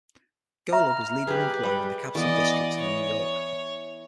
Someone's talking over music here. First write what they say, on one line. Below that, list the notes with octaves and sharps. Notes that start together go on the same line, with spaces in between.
Golub is leading employer in the Capital District of New York.
E5 A#5 F6
G4 G#4 B4
G3
E3 B3 D5 D#5
C#5